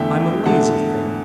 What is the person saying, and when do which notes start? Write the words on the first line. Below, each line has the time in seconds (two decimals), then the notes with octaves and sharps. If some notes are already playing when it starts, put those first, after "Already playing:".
I'm a lazy thing.
Already playing: E2 D3 A3 E5 G5
0.46 E2 D3 A3 F#5 A5